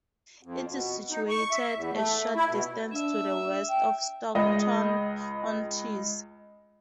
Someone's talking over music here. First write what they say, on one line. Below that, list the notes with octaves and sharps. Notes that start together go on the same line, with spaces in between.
It is situated a short distance to the west of Stockton-on-Tees.
F2
B2
D#4
C#6
E5
E2
A3
E4
B2
D4 E5
G5
C#2 G#3 D#5